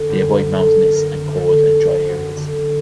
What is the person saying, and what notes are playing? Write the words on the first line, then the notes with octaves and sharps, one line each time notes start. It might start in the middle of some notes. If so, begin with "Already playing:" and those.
They avoid mountainous and cold and dry areas.
Already playing: D3
F#2 G4
F#2
A4
D3
F#2 A#4
D3
G4
A4
D3
F#2 G4
F#2 F#4
D3 G4